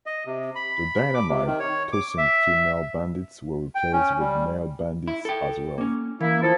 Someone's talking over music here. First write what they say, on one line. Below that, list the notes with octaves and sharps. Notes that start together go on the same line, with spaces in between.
The dynamite-tossing female bandits were replaced with male bandits as well.
D#5
C3
B5
D6
C3
D#3
C#5
D6
E5
G5
C#4
G3
E4 E5
A4 G5
A#3 C#4
E3 A#3 E4
F3 E4 A4